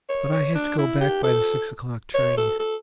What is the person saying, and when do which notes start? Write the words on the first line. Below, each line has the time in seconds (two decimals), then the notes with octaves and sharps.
But I have to go back by the six o'clock train.
0.09 C#5
0.32 C#5
0.55 D4
0.78 E4
1.00 G4
1.23 A4
2.15 C#5
2.37 A4
2.60 A4